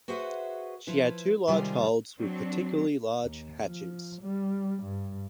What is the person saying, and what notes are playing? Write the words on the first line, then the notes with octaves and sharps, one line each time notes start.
She had two large holds with particularly large hatches.
F#4 G#4 B4 C5 E5 F#5
F3 E4 B4
C3 D#3 G3 G#3 F4 G#4
F#3 C4 D4
D#2
F3
G3
G2